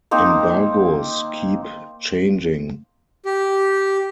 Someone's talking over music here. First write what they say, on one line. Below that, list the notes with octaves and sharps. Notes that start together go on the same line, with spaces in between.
Embargoes keep changing.
A#3 C4 D#4
G4